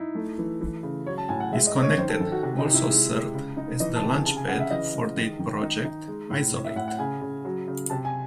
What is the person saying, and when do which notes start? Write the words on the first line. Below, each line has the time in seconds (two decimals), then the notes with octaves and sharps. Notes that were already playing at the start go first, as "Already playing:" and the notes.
"Disconnected" also served as the launch pad for their project "Isolate".
Already playing: D#4 E4
0.15 A3
0.38 E3
0.61 E3
0.83 C#3
1.06 F#3 C#5
1.18 A5
1.29 A2 G#5
1.40 F#5
1.52 G#3 E5
1.67 D#5
1.75 C#4
1.82 C#5
1.98 D#3 C5
2.09 A4
2.20 D#3 A4
2.32 F#4
2.43 C3 F#4
2.58 D#4
2.65 C3
2.74 E4
2.89 G#3
3.12 G#3
3.34 C#3
3.57 D#4
3.80 E3 D#5
3.96 A5
4.03 C3
4.10 G#5
4.25 C#3 A5
4.36 G#5
4.48 C#3 F#5
4.60 E5
4.70 E3 D#5
4.94 G#3
5.17 D#3
5.39 D#3
5.62 D#4
5.84 D#4
6.08 G#3
6.30 A2
6.53 A2 C#5
6.64 E5
6.76 A2 F#5
6.88 F#5
6.99 C#3 G#5
7.21 C#3
7.45 F#3
7.68 C#3
7.90 C3 A5
8.05 G#5